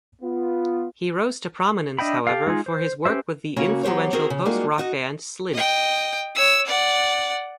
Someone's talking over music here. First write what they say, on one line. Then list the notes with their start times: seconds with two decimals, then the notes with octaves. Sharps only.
He rose to prominence, however, for his work with the influential post-rock band Slint.
0.22 B3 F4
1.99 D4 D#5 E5 G5 B5
2.27 G4 A4 F5
2.47 G#3 D#4 F4 G#4
2.66 C5
3.05 C#4 G4 B4 C5 E5
3.57 C#3 A#3 C#4 F#4
3.83 F#3 B3 G4 C5 C#5
4.13 C4 F#4 G#4 A#4
4.30 C#3
4.45 G3 G#3 A#3 D#4 F4 F#4
4.78 D#4 F#4 D#5
5.53 D#5 G5
6.35 C#5 E6
6.66 D5 F#5